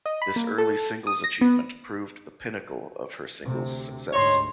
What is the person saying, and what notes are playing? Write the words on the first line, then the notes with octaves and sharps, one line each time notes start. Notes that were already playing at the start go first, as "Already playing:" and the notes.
This early singles achievement proved the pinnacle of her singles success.
D#5
B5
A#3
A4
D#6
A#6
B3
D2 C3
D2 G#2 D#4 C#5 C6